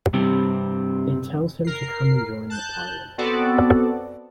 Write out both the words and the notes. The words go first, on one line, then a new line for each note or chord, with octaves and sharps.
It tells him to come and join the parliament.
G2 C3 G3 C4
A#4 C7
A5 F#6 G6
B3 C4 F#4 A4 D5